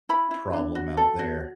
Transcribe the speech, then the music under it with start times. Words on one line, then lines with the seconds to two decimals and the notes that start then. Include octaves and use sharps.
problem out there.
0.09 E4 B5
0.31 E4
0.53 D4
0.75 F#4
0.97 A4
1.19 F#4